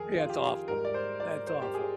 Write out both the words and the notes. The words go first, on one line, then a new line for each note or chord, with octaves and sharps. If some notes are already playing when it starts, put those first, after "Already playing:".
Yeah, it's awful, that's awful,
Already playing: F2 D#3 G#4 A#4
F4
G4
G#2 G3 A#4
D5
C5
D5
C5
G4
G#4